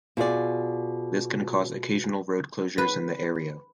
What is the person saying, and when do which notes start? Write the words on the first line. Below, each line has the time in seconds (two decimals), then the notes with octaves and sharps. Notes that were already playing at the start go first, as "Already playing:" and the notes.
This can cause occasional road closures in the area.
0.17 B2 F4 G#4 D5
2.78 B4